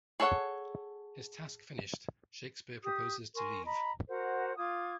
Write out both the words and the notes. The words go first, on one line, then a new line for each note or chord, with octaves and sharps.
His task finished, Shakespeare proposes to leave.
G#4 A4 C#5 E5 F#5
G4 D#6
A#4 G#5 C6 C#6
D#5 A#5 B5
F#4 A#4 C5 F#5
F4 D6 D#6 G#6